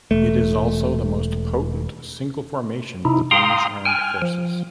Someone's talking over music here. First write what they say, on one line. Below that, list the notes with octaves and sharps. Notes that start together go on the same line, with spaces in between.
It is also the most potent single formation of the Danish armed forces.
E1 A3
C3 D#4 E4
F5 G5 A#5 C6 D#6
G5 G#5 F6
F3